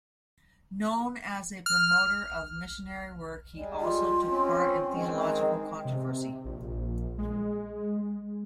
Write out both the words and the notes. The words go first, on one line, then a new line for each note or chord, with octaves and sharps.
Known as a promoter of missionary work, he also took part in theological controversy.
F6
G3 G#3
F4
C4 C#4
D#3 G#3 C4
D#4
C3
A#1
G#3